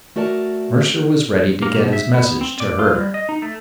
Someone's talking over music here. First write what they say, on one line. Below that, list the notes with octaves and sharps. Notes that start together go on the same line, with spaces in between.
Mercer was ready to get his message to her.
A3 F#4 A#4 D5 A5
A#3
B2
E5
B3
C4
D5
F4
G3
D#5
D#4
A3